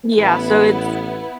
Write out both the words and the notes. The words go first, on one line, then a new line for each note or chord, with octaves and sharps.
Yeah, so it's
A1 B3 E4